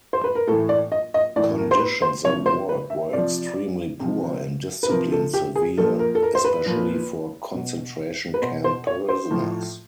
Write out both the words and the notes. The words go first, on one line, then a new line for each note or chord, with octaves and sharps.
Conditions of work were extremely poor, and discipline severe, especially for concentration camp prisoners.
C5
B4
A#4
A2 E3 A4
D5
D#5
D#5
A2 E3 D5
A#4
C5
B4
C5
C3 F3 C#5
C5
B4
E5
C3 F3 D5
C3 F3
B4
C3 F3 A#4
A4
G4
G#4
A#2 F3 A4
A#4
A4
A#4
C5
B4
A#2 F3
B2
B4
B2 C5
C5
C#5
C5
A2 F3